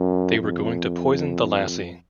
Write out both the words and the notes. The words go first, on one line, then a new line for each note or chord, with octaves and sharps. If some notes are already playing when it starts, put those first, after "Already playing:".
They were going to poison the lassie.
Already playing: F#2
F2